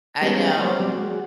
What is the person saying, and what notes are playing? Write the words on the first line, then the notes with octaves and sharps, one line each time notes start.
I know.
G3 G#3 B3 C#4 G4
F#3 A#3 C5 C#5
F#3 G3 C4 D5
G#3 F#4